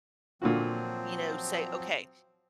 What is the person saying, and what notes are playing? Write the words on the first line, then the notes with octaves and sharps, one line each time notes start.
you know, say, "Okay,
A#2 D3 F3 F#3 C4 F#4